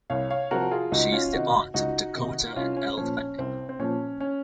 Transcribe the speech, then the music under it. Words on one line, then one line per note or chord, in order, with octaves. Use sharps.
She is the aunt of Dakota and Elle Fanning.
C2 C#5 F5
C#5 F5
C3 F3 F#4 A#4
F4 G#4
C#2 D#4 F#4
C#4 F4
C3 D#3 D#4 F#4
C#2 D#4 F#4
C3 D#3
C2 C#4 F4
C#4
A#2 F3 C#4
C#4
C2 C4
C4
A#2 F3 C#4
C#4